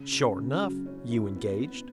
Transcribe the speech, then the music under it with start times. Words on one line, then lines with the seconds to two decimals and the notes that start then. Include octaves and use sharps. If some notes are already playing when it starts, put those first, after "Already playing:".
"Sure enough, you engaged?"
Already playing: C#3
0.12 C#3
0.36 C#3
0.61 F#3
0.86 C#4
1.10 E4
1.35 B3
1.60 B3